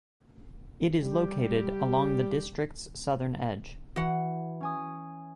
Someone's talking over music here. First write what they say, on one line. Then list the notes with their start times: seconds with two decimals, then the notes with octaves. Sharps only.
It is located along the district's southern edge.
1.01 G3 G4
3.96 E3 F#4 F#5
4.61 C#4 G#5 D#6